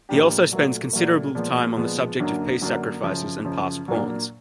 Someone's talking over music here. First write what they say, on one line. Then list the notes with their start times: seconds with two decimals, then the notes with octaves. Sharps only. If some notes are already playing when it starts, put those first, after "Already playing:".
He also spends considerable time on the subject of piece sacrifices and passed pawns.
0.09 A2 F3 A#3 D4 G4
0.51 A#2 F#3 A3
0.93 A#2 F#3 A3
1.35 A#2 F3 G#3 B3
1.77 A#2 F3 G#3 B3
2.18 F#2 D3 F#3 A#3 D4
2.61 F#2 D3 F#3 A#3 D4
3.03 F#2 C#3 F3
3.45 F#2 C#3 F3
3.88 A#2 F#3 A#3 D4